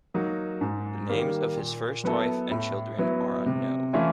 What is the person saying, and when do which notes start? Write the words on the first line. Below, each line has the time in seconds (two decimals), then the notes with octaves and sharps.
The names of his first wife and children are unknown.
0.14 F#3 A#3 D#4 F#4
0.61 G#2
1.09 D#3 G3 A#3
1.57 A#2
2.04 F#3 B3 E4 A4
2.51 A2
2.98 F#3 B3 E4
3.46 C3
3.93 E3 A3 C#4 F4